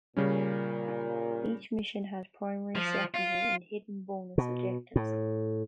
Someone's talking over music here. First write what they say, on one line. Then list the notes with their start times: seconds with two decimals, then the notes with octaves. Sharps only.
Each mission has primary, secondary, and hidden bonus objectives.
0.17 A#2 C#3 G3 C#4
2.75 F3
3.14 F4
4.38 B2
4.96 A2